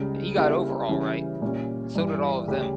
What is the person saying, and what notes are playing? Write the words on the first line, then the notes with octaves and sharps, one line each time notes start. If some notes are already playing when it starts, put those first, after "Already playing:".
But he got over all right; and so did all of them.
Already playing: C#2 C#3 G3
C#3 G3 A#3 E4 G4
C#3 E3 G3 C#4
A#2 G3 C#4
G2 E3 G3
D2 C#3 G3 C#4 G4